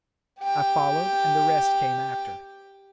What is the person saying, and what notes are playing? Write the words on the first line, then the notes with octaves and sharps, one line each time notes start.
I followed, and the rest came after.
G4 G5